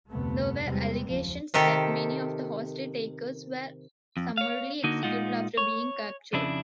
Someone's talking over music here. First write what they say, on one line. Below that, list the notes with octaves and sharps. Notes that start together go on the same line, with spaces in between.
There were allegations that many of the hostage-takers were summarily executed after being captured.
F1 D2 G2 C3 A3 B3
E2 C3 G3 G#3 B3 C4
F#1 D#2 F3
C3 D#3 G4 A4
F2
C#5 F5
D3 A#3 D#4 F#4
A#2 G3 G#3 D#4 F4 F#5
C#5
F2 C#3 D4 E4